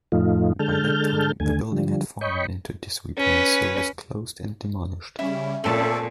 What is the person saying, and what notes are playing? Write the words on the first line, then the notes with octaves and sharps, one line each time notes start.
By that time the building had fallen into disrepair so was closed and demolished.
F2 A2 F3 A3 D#4 F4
D3 G#3 A4 A5 F6 G6
D#2 D3 A3 G#5
D3 F3 G3
C#5 D#5 G5 B5 C#6
C#4 B4
C#3 G3 C#4 E4
A#2 A3 C4 C#4 A4 D5 A5